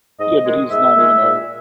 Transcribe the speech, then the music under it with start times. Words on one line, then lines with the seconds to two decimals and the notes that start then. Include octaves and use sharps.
Yeah, but he's not even a
0.19 G#2 D#5
0.45 D#3 G#3
0.70 G#2 E5
0.94 D#3 G#3
1.21 A#2